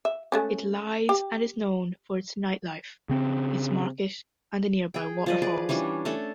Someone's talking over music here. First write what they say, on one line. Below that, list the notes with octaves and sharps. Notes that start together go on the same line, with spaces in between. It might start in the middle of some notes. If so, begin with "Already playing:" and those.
It lies and is known for its nightlife, its market and the nearby waterfalls.
E5
G#3 A3 C#4
G4
C#3 C4
G#4 G5
F3 D5 D#5
G#4 B4 D5
E3 G3 C#4 D4
A3 C#4 D4 A4